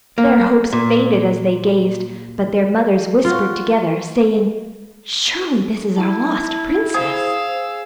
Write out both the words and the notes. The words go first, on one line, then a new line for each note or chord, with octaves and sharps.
Their hopes faded as they gazed, but their mothers whispered together, saying, 'Surely this is our lost princess!'
A#3
A#2
F4 F#4
E4 A5
G#4 C5 F5 E6